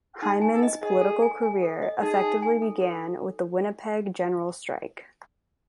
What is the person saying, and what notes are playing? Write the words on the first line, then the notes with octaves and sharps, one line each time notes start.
Hyman's political career effectively began with the Winnipeg General Strike.
D#4 G#4
G#5
A4
D#5
G#4 D#5
A4
G#5
G#5
A4
D#5
D#4 G#4
D#4
G#5
A4
A4